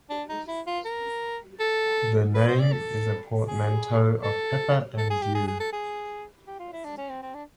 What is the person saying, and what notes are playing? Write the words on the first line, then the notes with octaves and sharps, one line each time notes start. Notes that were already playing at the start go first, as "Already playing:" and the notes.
The name is a portmanteau of 'pepper' and 'dew'.
D4
D#4
E4
F4
A#4
A4
B4
C5
D5
A4
G#4
A4
A4
G#4
G4
G#4
G#4
A4
G#4
G4
F4
E4
D4
C#4
C4
C4
D4